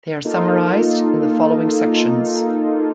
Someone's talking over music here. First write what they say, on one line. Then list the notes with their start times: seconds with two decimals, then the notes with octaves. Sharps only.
They are summarized in the following sections.
0.25 A#3 D#4 F4 A4